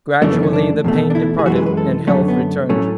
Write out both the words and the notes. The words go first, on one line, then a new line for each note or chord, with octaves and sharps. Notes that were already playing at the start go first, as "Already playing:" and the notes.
Gradually the pain departed and health returned.
F#2 C#3 E3 A3 D4
B3
D4
C#4
D4
E2 B2 A3
D4
E4
G#4
F#2 E3 G#3 F#4
B4
B4
A4
F#2 D3 F#3 A3 C#4
B3
A2 F#3 A3 C#4